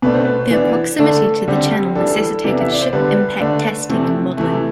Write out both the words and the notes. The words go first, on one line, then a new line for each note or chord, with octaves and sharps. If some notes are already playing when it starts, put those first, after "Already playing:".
Their proximity to the channel necessitated ship impact testing and modelling.
B2 A3 D4 B4
C5
B4
E3 B3 D4
D3 A3 D4 A4
D3 G3 C4 G4
E3 G3 D4 A4
C3 E3 B3 D4
E5
D5
C5
D3 G3 B3 D4 B4
D3 A3 D4
C3 E3 A3 C4
C3 E3 A3